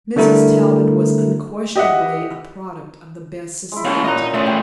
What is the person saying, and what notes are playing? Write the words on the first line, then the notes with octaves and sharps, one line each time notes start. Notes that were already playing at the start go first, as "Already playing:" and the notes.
Mrs. Talbot was unquestionably a product of the best society.
D3 G3 A3 E4 A#4
G4 D#5 E5 F#5
G#3 E4
A#3 C#4 G4 A5
A#2 C#5 D#5 F#5 A#5
A3 C#4 D#5 C6
G5